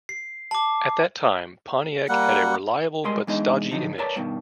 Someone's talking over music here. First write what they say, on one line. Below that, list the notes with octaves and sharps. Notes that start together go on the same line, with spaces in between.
At that time Pontiac had a reliable but stodgy image.
C7
A5 D6
G3 A#3 F#5
G3 G#3 A#4 D#5 C6
E2 G#3 D4 D#4 D#5
D3 F3 F#3 D4 D#4
A#4 B4 C#5 D5 A5 A#5
G2 B2 D#3